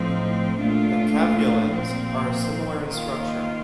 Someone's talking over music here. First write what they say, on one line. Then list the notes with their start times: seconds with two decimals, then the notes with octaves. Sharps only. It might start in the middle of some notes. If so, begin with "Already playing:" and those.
The caveolins are similar in structure.
Already playing: A2 F3 C4 D#4
0.58 A#2 A3 D4 F4
1.70 A#2 F3 C4
2.82 D#3 A#3 F4